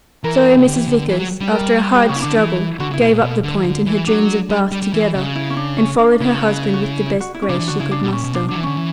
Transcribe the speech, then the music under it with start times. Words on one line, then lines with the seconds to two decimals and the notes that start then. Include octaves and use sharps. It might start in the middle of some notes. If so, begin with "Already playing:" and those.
So Mrs. Vickers, after a hard struggle, gave up the point and her dreams of Bath together, and followed her husband with the best grace she could muster.
0.24 E3 A#4
0.38 A#4
0.52 G4
0.57 C#3
0.66 D3
0.78 E3
0.88 D3
1.09 E3
1.19 F#3
1.41 G3
1.51 A#4
1.94 G4
2.09 C#3 C#4
2.16 E4
2.22 D3 D4
2.37 E3 E4
2.79 D3 F#4
2.91 C#3
2.94 E4
3.00 B2
3.11 A#2
3.22 B2
3.43 D3
3.57 E3
3.64 D3
3.86 E3
4.07 F#3 D4
4.50 G3
4.72 G3
4.82 G3
4.93 E3
5.15 C#3
5.35 E4
5.50 C#4
5.57 D4
5.78 C#4
5.99 D4
6.20 C#3 E4
6.63 E4
6.74 F#4
6.82 E4
7.06 E4
7.20 F#4
7.35 E4
7.42 C#4
7.49 C#3 D4
7.59 E3
7.68 D3 F#4
7.80 C#3 E4
7.91 C#3 D4
8.03 B2
8.12 A#2 C#4
8.24 B2
8.34 B2 D4
8.49 F#3 D4
8.55 E3
8.63 D3 C#4
8.77 E3